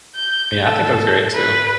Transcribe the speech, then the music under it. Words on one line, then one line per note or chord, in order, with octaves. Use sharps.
Yeah, I think that's great too,
G6
A4
B4